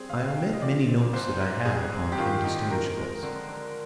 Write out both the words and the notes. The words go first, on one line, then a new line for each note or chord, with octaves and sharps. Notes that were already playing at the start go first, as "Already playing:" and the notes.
I omit many notes that I have upon indistinguishables.
Already playing: G3 C4 G#4
D3 F5
F5
D#4 G5
D#5
F3 D5
C4
G#2 C5
G#2
G3 G#4
C4
G4
D#3 F4
D#4 G4
F3 A#4
G#3
D3
D3